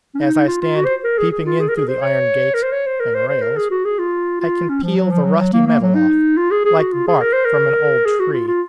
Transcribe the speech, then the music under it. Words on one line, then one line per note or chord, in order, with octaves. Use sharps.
As I stand peeping in through the iron gates and rails, I can peel the rusty metal off, like bark from an old tree.
C#4
D#4
D#4
F4
F4
F#4
C5
A#4
G#4
G#4
F4
G#4
A#4
G#4
C5
C#5
A#4
C5
C#5
C5
A#4
C5
C5
A#4
G#4
F#4
G#4
F4
F4
C#4
F3
F#3
F3
F#3
F#3
A#3
A#3
F#3
D#4
F4
G#4
G#4
F#4
F4
G#4
A#4
C5
A#4
G#4
F#4
F4
F4